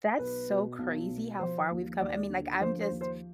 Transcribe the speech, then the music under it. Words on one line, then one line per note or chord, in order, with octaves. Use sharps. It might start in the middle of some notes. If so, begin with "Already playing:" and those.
That's so crazy how far we've come, I mean, like, I'm just
B1 B4
B2
B1
B2
F3 C5
D#2
D#2 D5
D3
F3 C5
C5
D#2
C5